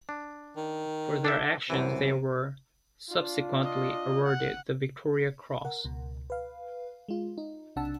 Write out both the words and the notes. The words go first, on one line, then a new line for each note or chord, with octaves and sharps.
For their actions they were subsequently awarded the Victoria Cross.
D4
D#3
D4 A4 E5
C2 F#2 C3 E3
D4 F4
D#5
F#5
A#4 F#5
C#2 B2
B4 F5
G#3 F4
D#4
B1 C3 D4 F#5 A5 E6